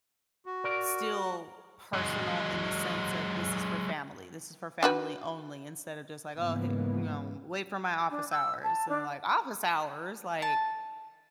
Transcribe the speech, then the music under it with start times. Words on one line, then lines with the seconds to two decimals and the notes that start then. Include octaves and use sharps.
still personal in the sense of "This is for family, this is for family only," instead of just like, "Oh, hey you, um, wait for my office hours." And, they're like "Office hours?" Like
0.46 F#4
0.64 A#4 D5
1.93 F#3 G#3
4.83 D4 F#4 B4
6.37 G#2 C#3 E3 G#3 A#3 B3
8.10 D4
8.31 E6
8.63 A5
8.88 D4
10.42 A5